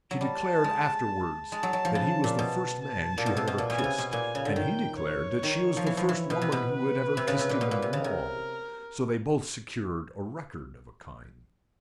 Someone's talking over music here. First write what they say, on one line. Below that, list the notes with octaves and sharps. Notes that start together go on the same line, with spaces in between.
She declared afterwards that he was the first man she had ever kissed, and he declared that she was the first woman who had ever kissed him in the Mall, so they both secured a record of a kind.
F#3
G3 A5
G#3
G#3 A5
F#3
F#3
F3
C#3 A5
A#2
B2 A5
A5
A#2
B2
C3
B2
A#2
B2 G#5
C#3
C3
B2
A#2 G#5
C#3
D3
D#3 G5
C#5
D#3
F3
E3
F3
E3
B2 B4
C3
B2
B4
C3
C#3
C3
A#2
B2
A#2
C3
C#3
C3 A#4